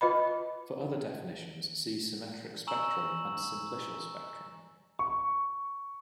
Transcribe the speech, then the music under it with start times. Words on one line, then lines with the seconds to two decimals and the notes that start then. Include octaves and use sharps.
For other definitions, see symmetric spectrum and simplicial spectrum.
0.01 F4 B4 D#5 B5
2.67 G#5 A#5 C#6 E6 E7 F#7
4.99 C#6